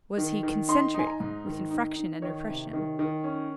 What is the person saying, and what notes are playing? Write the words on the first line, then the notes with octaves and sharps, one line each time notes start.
Was he concentric with infraction and repression?
D#3
D#3
D#4 C6
D#4 G#5
A#5
G#2
D#3
D#4
D#4
D#3 C#5
C3
D#3
D#3
C#4